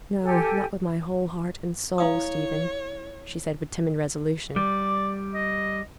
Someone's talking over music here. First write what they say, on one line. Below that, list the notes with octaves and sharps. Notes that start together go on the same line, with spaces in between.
"No, not with my whole heart and soul, Stephen," she said with timid resolution.
G4 A4 G#5
E4 C#5 F5 D#6
G3 D5
D#5